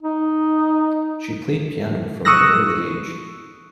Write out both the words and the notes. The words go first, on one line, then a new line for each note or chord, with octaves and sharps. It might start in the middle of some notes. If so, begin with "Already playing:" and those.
She played piano from an early age.
D#4
C#6 D#6 E6 F#6 A#6